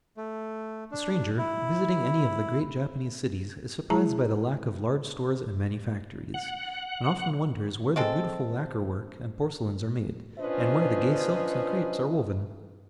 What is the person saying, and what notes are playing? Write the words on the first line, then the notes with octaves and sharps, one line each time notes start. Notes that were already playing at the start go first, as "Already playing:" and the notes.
The stranger visiting any of the great Japanese cities is surprised by the lack of large stores and manufactories, and often wonders where the beautiful lacquer work and porcelains are made, and where the gay silks and crepes are woven.
A3
D4
E4
G#3 E4 G#4 A5 A#5
F#5
G#3 C4 A4
C#4 D4 F4 B4 C5 D#5